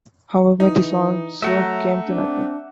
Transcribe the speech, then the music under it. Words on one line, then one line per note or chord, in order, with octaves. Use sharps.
However, this also came to nothing.
E3 D#4
F#3 A3 E5 F#5 A#5
C4 D4